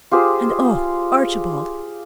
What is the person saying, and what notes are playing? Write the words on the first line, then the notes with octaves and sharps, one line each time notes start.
And, oh, Archibald!
F4 G4 G#4 C5